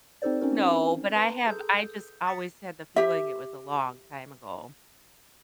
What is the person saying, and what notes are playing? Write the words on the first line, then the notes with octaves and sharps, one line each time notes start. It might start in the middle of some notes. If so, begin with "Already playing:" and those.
No. But I have I just always had the feeling it was a long time ago,
C4 D#4 G4 A4 C5 D5
C4 C#4 D#4 F#4 A#4 C5
B4 A5 A#5 C6
G#4 A4 G6
D#6 A6 B6 C#7
G4 E5